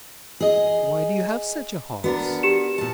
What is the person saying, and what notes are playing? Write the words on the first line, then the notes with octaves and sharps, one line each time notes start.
"Why do you have such a horse?"
G#4 D#5
B3 D4 F#4 A#4
G4 C#7 E7
A#2 A5